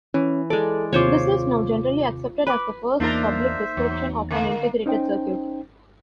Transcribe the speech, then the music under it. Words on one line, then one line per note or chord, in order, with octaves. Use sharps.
This is now generally accepted as the first public description of an integrated circuit.
E3 C#4
G#3 A4 D5
D#2 C3 F4 C5 C#5 D6
B4 B5 D6
E2 A#3 D4 D#4 F4 A#4 C5 E5
E2 F#3
D3 A#3
C#4 D#4 C5 G5